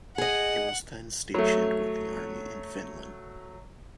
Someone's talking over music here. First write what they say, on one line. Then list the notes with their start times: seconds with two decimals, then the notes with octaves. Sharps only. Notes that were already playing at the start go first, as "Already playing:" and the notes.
It was then stationed with the army in Finland.
0.18 G#4 D#5 F#5
1.34 F#3 A3